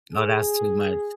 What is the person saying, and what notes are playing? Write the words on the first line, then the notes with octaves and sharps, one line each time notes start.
No, that's too much
G#4